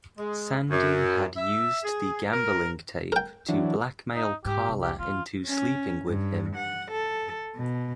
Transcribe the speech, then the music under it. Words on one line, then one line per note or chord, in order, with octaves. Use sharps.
Sandy had used the gambling tape to blackmail Carla into sleeping with him.
G#3
F#2
E5
G#4
A#4
A#4 G5
E3 F#3 D4
D#4
G#2 G4
C2
G4
E3 F4
C#4
G2
F#5
A4
B2